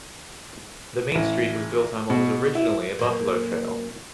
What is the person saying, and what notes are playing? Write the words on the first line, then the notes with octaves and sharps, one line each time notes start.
The main street was built on what was originally a buffalo trail.
A1
B2
E4
F#2 A#2 A#3